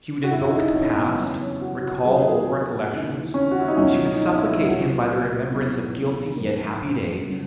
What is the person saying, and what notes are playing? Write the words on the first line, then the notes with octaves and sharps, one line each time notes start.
She would invoke the past, recall old recollections; she would supplicate him by the remembrance of guilty, yet happy days.
F#4
F#2 C#3 E3 E4
D#4
C#4
B3
E2 C#3 F#3 C#4
C#4
F#4
F#4
E2 D#3 F#3 G#4
F#4
G#4
D#2 C#3 E3
C#4
F#4
E4
D#4
C#2 B2 F#3 C#4
D#4
E4
C#2 C#3 F#3 F#4
E2 B2 F#3
F#2 D#3 F#3 A#4
C#3 F#3